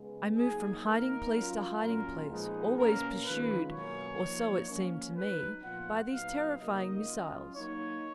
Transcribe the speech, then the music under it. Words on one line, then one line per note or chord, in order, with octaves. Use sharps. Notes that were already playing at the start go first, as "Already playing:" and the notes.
I moved from hiding-place to hiding-place, always pursued, or so it seemed to me, by these terrifying missiles.
Already playing: C#3 G#3 B3
F#3 A#3 D#4 G#4
D#3 A#3 D#4 A#4
F#3 C#4 F4
A#2 F#3 C#4 F4 A#4
A#2 F3 G#3 B3 D#4
B2 A#3 C#4 A#4
D#3 G#3 C#4 F4 B4
B2 F#3 A#3 C#4 C#5
F3 A#3 D#4
F3 A#3 C#4
F#3 B3 D#4 B4
A#2 F3 B3 F4 F#5
A#2 F#3 B3 D#4 F5
C#3 F#3 A#3 D#4 D#5
F#3 C#4 F4
F#3 A#3 D#4 C#5